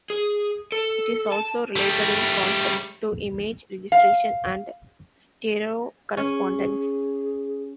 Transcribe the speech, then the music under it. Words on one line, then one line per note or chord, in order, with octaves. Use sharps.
It is also related in concept to image registration and stereo correspondence.
G#4
A4
A5
G3 A3
F5
C#4 G#4